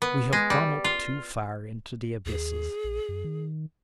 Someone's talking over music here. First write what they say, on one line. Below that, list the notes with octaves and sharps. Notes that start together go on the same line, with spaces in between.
We have gone up too far into the abysses....
B3
G#3
G3
F4
D#2 G#4
A#1
F#2
D#3